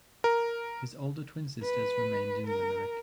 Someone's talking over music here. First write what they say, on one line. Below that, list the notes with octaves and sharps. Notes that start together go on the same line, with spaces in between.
His older twin sisters remained in Limerick.
A#4
B4
A#4